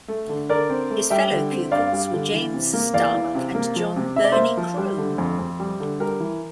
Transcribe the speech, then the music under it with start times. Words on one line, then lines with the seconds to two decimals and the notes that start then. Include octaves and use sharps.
His fellow-pupils were James Stark and John Berney Crome.
0.08 A3
0.29 D3
0.49 D3 A#4 D5
0.69 C4
0.90 A3
1.10 G3 E5 G5
1.31 D3
1.51 C4
1.71 G2 D5 F5
1.92 G3
2.12 D3
2.33 E3
2.54 C3
2.73 A#3
2.94 E2 D5 F5
3.14 E3
3.35 C3
3.55 A#3
3.76 F3
3.96 C3
4.16 C3 E5
4.24 D5
4.32 A#3 C5 E5
4.57 F3
4.77 G3
4.98 D3
5.18 F2
5.39 F2
5.60 G3
5.80 D3
6.00 G3 A#4
6.20 E3